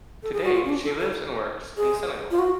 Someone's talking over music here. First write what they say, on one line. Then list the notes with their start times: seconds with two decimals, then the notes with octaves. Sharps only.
Today she lives and works in Senegal.
0.23 A4
0.33 G#4
0.44 F#4
0.54 F4
0.65 C#4
0.69 D4
0.84 A4
1.00 A4
1.77 G#4
2.31 F4
2.39 F#4